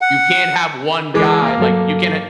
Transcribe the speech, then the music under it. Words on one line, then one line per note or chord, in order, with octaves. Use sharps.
You can't have one guy, like, you can ha
F#5
E3 G#3 D6
A#3 F5
G2 F#3 A4